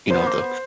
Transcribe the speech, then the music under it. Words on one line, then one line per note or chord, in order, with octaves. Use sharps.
you know, the
B3 C5
A#3
B3